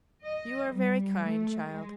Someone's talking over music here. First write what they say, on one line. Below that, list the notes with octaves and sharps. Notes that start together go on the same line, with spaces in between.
'You are very kind, child.
D#5
G3
A3
G#3